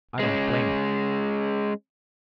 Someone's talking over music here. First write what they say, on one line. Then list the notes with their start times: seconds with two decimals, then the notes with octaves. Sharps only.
I don't blame you.
0.19 G#3 C#4